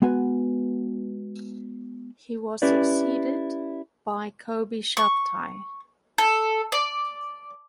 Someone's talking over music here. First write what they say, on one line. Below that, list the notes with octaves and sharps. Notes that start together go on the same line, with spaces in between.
He was succeeded by Kobi Shabtai.
G#3 B3 F#4 B4 G#5
C#4 E4 G4 B4 D5
C#6
A4
D5